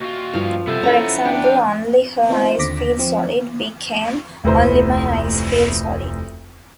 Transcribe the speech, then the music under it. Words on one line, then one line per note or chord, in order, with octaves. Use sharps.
For example, "Only her eyes feel solid" became "Only my eyes feel solid".
D#2 F4 F#4
G2 F3 F5
C3 B3 A4 C5
C#4 E4 A#5 B5
D4 G5
F5
B3 C4 D#4 F4 C5
D#2 D3 D6 A#6 B6
F3 C4
F1 D2 E4 B4 C5 A#5